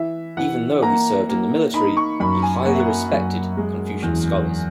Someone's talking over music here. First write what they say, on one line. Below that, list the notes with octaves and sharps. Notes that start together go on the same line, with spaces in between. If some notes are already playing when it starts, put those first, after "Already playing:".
Even though he served in the military, he highly respected Confucian scholars.
Already playing: E3 E5
E3 F#5
A#3 A#5
A#3
D#4 B5
C#6
F#2 B5
G#5
A#3 F#5
E5
F#5
F#2
G#3
E2